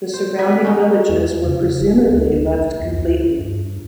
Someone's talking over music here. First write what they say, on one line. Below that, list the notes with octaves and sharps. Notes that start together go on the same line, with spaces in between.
The surrounding villages were presumably left completely.
C5
B3 B4 E5
B3 C#4 D#4
E2
C#3
E1
D2
C2
E2
D2
G2